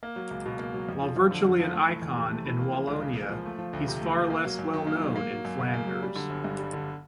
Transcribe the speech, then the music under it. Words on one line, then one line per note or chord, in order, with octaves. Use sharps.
While virtually an icon in Wallonia he's far less well known in Flanders.
A#3
F#3
C#2
B2
A#3
F#3
F2
F3
F2
D3
F2
F3
A3
E3
E2
C3
A3
E3
A#3
F3
C#2
C#3
A#3
F3
A3
F3
D2
C3
A3
F3
A#3
F#3
F#2
D#3
A#3
F#3
A#3
F#3
F#2
C#3
A#3
F#3
G3
D3
G1
G2
G3
D3